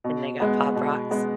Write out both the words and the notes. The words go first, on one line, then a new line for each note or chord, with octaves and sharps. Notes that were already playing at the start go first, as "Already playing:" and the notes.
And they got Pop Rocks.
B2
G#3 B3
B2
G#3 B3